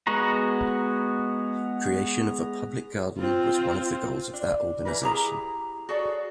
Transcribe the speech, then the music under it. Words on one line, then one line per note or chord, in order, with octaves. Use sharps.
Creation of a public garden was one of the goals of that organization.
G#3 B3 F#4 A#5
C4 F4
D4
E3 A#4 B4
E4 G4 G#4 A#5
F#4 G#4 A4 C#5 D5